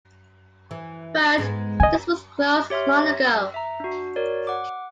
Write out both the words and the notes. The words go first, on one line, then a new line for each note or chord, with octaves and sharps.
But, this was closed long ago.
E3
G#2 G#3 B3
D3 D#5 G#5
G4 C#5 E5 C6 F6
E6
E5 A#5
D4 F#4
F#4 A#4 C#5 D5
F#5 D6